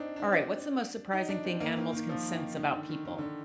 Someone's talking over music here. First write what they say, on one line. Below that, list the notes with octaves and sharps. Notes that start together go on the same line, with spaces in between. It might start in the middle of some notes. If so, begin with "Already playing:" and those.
Alright. What's the most surprising thing animals can sense about people?
Already playing: C4 D4 D#4
D4
C4
D4
D#4
D4
C4
A#3
D#3
D#3
F3
D#3
D#3
D3
D#3
D#3
D3